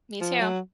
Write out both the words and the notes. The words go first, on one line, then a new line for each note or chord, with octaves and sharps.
Me too.
F3
F#3